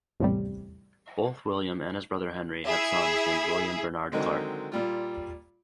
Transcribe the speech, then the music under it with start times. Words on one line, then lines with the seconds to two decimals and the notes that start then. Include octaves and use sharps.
Both William and his brother Henry had sons named William Barnard Clarke.
0.20 A#1 E2 A2 C3 G3
2.66 E4 G#4 E5
4.12 D3 D#3 F#3 G#3 C4
4.72 A#2 G3 F4